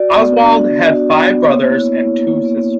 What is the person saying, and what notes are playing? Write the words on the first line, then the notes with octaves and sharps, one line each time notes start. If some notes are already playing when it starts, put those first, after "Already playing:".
Oswald had five brothers and two sisters.
Already playing: F#4 D5
B3
D4
B3
F#4
B3
A#3 C#5
E4
E4
A#3
A#3